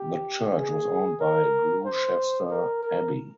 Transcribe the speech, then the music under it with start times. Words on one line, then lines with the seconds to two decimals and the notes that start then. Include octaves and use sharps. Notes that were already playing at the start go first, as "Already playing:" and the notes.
The church was owned by Gloucester Abbey.
Already playing: G4
0.54 G#4
1.20 A#4
1.85 C5
2.50 A#4
2.82 A#4